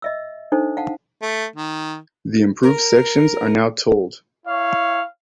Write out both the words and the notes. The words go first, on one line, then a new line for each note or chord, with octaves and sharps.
The improved sections are now tolled.
D#5 E5 E6
D4 D#4 A4 C5
F5 F#5 A5
A3
D#3
A#4
E4 C#5 F5